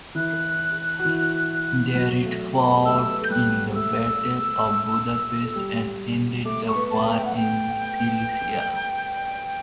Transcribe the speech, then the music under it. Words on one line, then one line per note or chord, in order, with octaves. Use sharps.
There it fought in the Battle of Budapest and ended the war in Silesia.
E3 E4 F#6
F#4
E3 E4
F#3 F#4
A3 A4
B3 B4
G4
A3 A4 E6
B4
A4 G6
G3 G4 F#6
G4
A3 A4 E6
A4
G3 G4
A3 A4 D6
C#6
B3 B4
A5
A3 A4
G5
F#5
G5